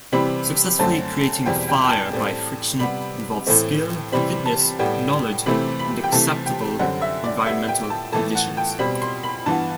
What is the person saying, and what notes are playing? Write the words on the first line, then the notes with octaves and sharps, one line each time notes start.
Successfully creating fire by friction involves skill, fitness, knowledge, and acceptable environmental conditions.
C3 E3 G3 C4 B5
F#2 D3 A3 C4 A5
E2 B2 G3 C4 G5
G5
G5
A5
A2 G3 C4
C3 G3 B3 B5
A2 E3 A3 C4
C3 E3 G3 C4 B5
A5
A2 G3 B3 G5
C3 E3 A3 C4 B5
B5
G5
C3 E3 A3 A5
G5
F#2 D3 G3 C4 F#5
E5
D5
A2 G3 B3 E5
G5
A5
A2 E3 A3 A5
F#5
G5
B2 G3 C4 B5
C6
B5
G2 E3 B3 A5